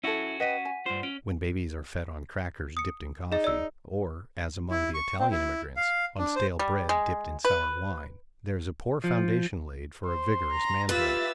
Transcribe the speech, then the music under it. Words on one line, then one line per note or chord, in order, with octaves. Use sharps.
When babies are fed on crackers dipped in coffee, or, as among the Italian immigrants, on stale bread dipped in sour wine, there is a poor foundation laid for a vigorous manhood.
C#4 E4 F#4 A4
B4 D#5 F#5 G5 B6 D#7
G#5
G2 F4 C5
C#4 D7
D#6 C#7
D#4 G#4 D#5
D5 E6
E4
C#6
C4
E4
F5
D4
C5
G3
G#3
B4
F3
C5 C6
A#5
F4 G4 B4 E5 E6 A6